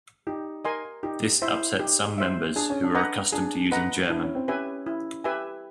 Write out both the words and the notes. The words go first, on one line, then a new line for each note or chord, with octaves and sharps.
This upset some members who were accustomed to using German.
D#4 G4
A#4 D#5 G#5 C6
D#4 G4
E4 C5 E5
D#4 G4
C5 E5
D4 G#4
C#4
D4
B4 D#5 F#5 A#5
D4 G#4
B4 D#5 F#5 A#5
D4 E4
C#4
C4
C#4 G4 B4 E5 G#5
E4
G4 B4 E5 G#5